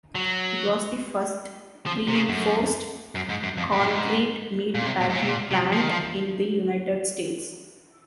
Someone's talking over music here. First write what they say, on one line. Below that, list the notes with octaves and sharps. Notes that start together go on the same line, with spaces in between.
It was the first reinforced concrete meat packing plant in the United States.
F#3
F3
C3
C#3
F#2
F#2
G#2
F#2
F2
F#2
A#2
G#2
A#2
C3
A#2
G#2
A#2
C3
A#2
C3
F3
D#3
F3